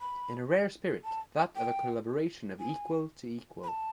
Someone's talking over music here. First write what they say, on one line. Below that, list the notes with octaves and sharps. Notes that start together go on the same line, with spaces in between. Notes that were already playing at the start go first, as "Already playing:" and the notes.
In a rare spirit, that of a collaboration of equal to equal.
B5
A5
G5
G#5
B5
A5